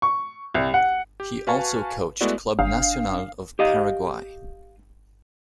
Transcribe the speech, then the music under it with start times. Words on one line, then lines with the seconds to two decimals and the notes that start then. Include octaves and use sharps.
He also coached Club Nacional of Paraguay.
0.02 C#6
0.55 C2
0.74 F#5
1.20 G4
1.47 F#4 B4 F5 G#5 A5 C#6
2.21 G#3 A3 B3 E4 F#4 D5
2.59 G1 D4 F5
3.59 G4 D#5 F5